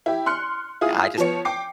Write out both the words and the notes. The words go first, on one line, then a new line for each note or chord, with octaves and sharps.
I just
E4 G4
C6 F6 F#6 C#7
E4 F4 G#4 D#6
F3 B3 C#5 C#7
G5 D6 C7